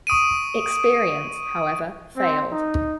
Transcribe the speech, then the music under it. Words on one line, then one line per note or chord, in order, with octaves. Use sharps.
Experience, however, failed.
C#6 D#6 D7 D#7
C4
D#4